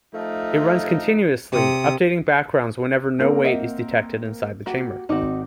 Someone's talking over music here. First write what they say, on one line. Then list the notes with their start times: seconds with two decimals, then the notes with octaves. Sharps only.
It runs continuously, updating backgrounds whenever no weight is detected inside the chamber.
0.14 F3 A3 D#4
1.52 C3 D#6
3.19 A#3 C4 A#4
3.44 D#5 E5 F#5
4.66 A#3 F#4 G4
5.09 G#1 C4 D#4 F#4 D6